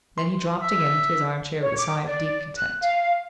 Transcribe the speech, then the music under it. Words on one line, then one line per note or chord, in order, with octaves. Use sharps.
Then he dropped again into his armchair with a sigh of deep content.
C6
E5
C#5
D6
D5
F#6
F5